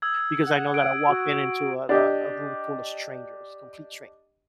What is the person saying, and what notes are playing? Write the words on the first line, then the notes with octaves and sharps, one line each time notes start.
because I know that I walk in into a a a room full of strangers, complete strangers.
D#6 E6 G#6
F#5
D7
F#4
D4 G4 D#5